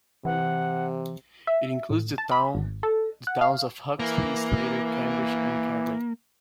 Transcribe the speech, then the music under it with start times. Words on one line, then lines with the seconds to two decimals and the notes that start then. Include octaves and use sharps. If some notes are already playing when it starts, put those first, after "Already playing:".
It includes the towns of Huxley, Slater, Cambridge and Kelley.
0.25 C3 E3 F#5
1.47 E5
1.90 A2
2.18 A5
2.32 B5
2.55 G#1
2.83 A4
3.27 F#5
3.41 F5
4.00 E3 A#3